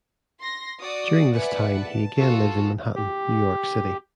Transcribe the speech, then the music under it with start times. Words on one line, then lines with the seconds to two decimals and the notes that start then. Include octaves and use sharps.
During this time he again lived in Manhattan, New York City.
0.41 C6 A#6
0.81 F#4 D5 D6 D#6
1.33 B4 D5 E5 F#5 G#5
1.83 A5
2.17 F4 F#4 A4
2.95 G4